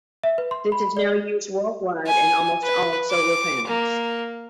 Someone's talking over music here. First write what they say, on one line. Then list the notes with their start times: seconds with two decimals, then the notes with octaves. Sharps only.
This is now used worldwide in almost all solar panels.
0.23 E5
0.38 B4
0.51 C6
0.72 B5
0.97 D5
2.07 G#5
2.62 B4
3.10 D6
3.67 A#3